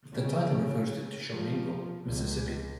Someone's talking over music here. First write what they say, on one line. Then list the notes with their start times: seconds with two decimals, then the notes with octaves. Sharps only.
The title refers to Tishomingo, Mississippi.
0.13 C#3
1.30 F3
2.06 C#2